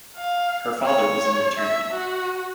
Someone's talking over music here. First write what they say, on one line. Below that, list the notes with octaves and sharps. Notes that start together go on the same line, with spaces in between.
Her father was an attorney.
F5
C#5
E5
F#4